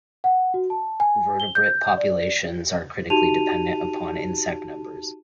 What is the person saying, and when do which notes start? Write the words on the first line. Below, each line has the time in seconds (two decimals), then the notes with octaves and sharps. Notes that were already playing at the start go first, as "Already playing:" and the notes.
Vertebrate populations are critically dependent upon insect numbers.
0.24 F#5
0.54 F#4
0.70 A5
1.00 G#5
1.40 G7
1.55 G6
1.97 D5
3.10 D#4 F#4 G4 A5 D#7 F7